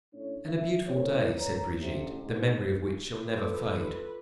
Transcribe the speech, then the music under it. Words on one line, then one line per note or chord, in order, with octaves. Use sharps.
"And a beautiful day," said Brigitte, "the memory of which shall never fade."
A2 C#4 D4 C#5
E5
G1 E2 A2 A#4 C5 C#5
A#4 B4 C#5 A#5
A1 C3
G#2
F4 A4 B4 D6